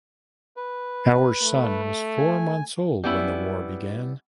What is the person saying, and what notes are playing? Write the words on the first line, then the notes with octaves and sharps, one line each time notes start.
Our son was four months old when the war began.
B4
A3
G#5
G3 B3 C#4 E4